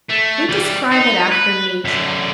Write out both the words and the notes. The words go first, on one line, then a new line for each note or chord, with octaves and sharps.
We describe it after nature.
A3
E3 G3
D#4
B4
F#2 D3